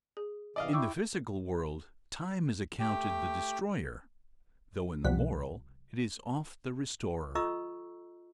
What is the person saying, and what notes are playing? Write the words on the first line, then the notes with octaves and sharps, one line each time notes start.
In the physical world Time is accounted the destroyer; though in the moral, it is oft the restorer.
G#4
C3 E3 D5 D#5 F5
E4 G5 C#6 D6 E6
A3 G4 G5
C2 B2 F3 G3 F#5 B6
F4 A4 D#5 A#5 C#6 E6